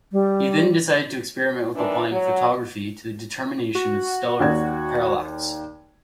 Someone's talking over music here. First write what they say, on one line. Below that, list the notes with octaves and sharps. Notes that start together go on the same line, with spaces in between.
He then decided to experiment with applying photography to the determination of stellar parallax.
G3
F#2 D#3 E3 D4
F#3
F#4
D#2 D5 G#6